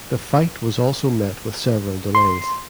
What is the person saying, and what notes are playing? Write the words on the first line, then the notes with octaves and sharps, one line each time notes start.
The fight was also met with several delays.
C6